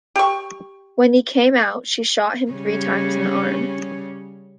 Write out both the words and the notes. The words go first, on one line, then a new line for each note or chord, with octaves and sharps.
When he came out, she shot him three times in the arm.
G4 C#6
C#3 G3 C#4